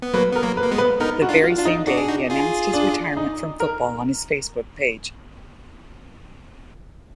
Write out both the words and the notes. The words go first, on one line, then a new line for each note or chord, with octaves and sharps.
The very same day he announced his retirement from football on his Facebook page.
B3
F#3 A#3 B4
B3 A#4
F#3 A#3
B4
A#3
G#3 B3
B4
B3 D#4 A#4
F#4
D4 F4
F4
D4 F4
D#4
D4 F#4
G#4
D#4 F#4
F4 G#4
D4
D#4
A#4